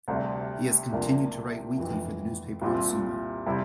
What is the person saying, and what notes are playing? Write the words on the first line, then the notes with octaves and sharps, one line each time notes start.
He has continued to write weekly for the newspaper on sumo.
D2 C3 G3 D4
C2 C3 F3 A#3 D4
G1 F2 E3
C2 A#2 G3 C4 F4
C3 G3 C4 E4